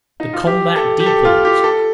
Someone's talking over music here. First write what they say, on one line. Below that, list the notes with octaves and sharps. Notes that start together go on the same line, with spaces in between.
The combat deepens.
D#4
F4
G4
A4
G4
A4
F4
G4
A4